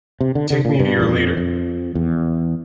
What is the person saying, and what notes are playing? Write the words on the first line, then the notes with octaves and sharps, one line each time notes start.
Take me to your leader!
C3
D3
D3
A#2
G2
E2
F2
F2
E2